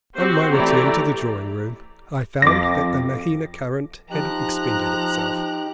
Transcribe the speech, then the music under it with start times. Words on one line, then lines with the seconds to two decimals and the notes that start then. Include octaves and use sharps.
On my return to the drawing-room, I found that the Mahaina current had expended itself.
0.16 C4 F#4 G4 C5
0.53 E3 A3 E4 G4 D5 A#5
2.42 F2 D6 A#6
4.11 F3 D#4 G4 A#5 F#6